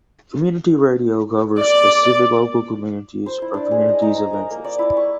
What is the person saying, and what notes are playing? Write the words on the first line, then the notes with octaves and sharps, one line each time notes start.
Community Radio covers specific local communities or communities of interest.
D5
C5
E4
D4
G#4
D#5
D#4
A#5
A#4
A#3
D5
E4
C#6